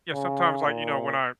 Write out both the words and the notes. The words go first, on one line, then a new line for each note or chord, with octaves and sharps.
Yeah, sometimes, like, you know, when I
C#3
A#2